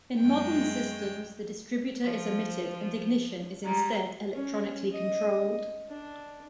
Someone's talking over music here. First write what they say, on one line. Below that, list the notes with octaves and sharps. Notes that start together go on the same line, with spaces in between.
In modern systems, the distributor is omitted and ignition is instead electronically controlled.
F#2 G#3 A3 G5
F3
G3 G#3 A#5
C#4
D#5
D4